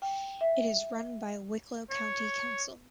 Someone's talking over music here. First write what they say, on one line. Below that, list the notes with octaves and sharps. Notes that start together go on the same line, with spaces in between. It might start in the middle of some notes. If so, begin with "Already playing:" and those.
It is run by Wicklow County Council.
G5
E5
C#5